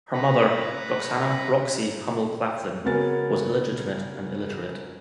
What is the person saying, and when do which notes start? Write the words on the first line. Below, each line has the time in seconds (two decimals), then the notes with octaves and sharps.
Her mother, Roxanna "Roxy" Hummel Claflin, was illegitimate and illiterate.
0.13 B4 F#5 A#5 B5
2.85 C#3 B3 C#4 F#4 A#4 A6